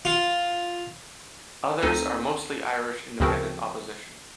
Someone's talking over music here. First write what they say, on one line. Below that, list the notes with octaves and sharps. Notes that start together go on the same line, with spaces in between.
"Others" are mostly Irish Independent Opposition.
F4
D2 C4 D#4 A4 D#7
D2 C#3 F3 C4 F#4 A#4